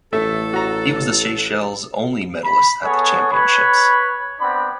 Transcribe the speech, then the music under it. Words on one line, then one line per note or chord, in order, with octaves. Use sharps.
He was the Seychelles only medallist at the championships.
A1 A3 A4 E5
F#4 A#5
B5
B3 G#4 A4 C#5
B4 C#5 B5
B3 C4 D4 B5